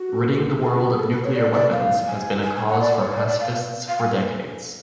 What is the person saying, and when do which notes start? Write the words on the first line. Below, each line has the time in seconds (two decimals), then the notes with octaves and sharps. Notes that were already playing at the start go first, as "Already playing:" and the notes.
Ridding the world of nuclear weapons has been a cause for pacifists for decades.
Already playing: F#4
0.63 G#4
0.74 F4
0.82 F#4
0.91 G#4
0.99 A4
1.11 B4
1.24 C#5
1.35 D5
1.54 D5
1.72 F5
2.07 G#5
2.43 G#5
2.56 G#5
2.68 F#5
2.81 D5
2.98 C#5
3.17 D5
3.27 D5
3.40 F5
3.88 F5
4.00 G#5